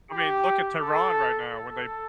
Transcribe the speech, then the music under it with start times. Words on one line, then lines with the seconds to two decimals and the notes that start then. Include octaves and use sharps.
I mean, look at Tehran right now when they
0.11 G4
0.81 A4
1.51 A4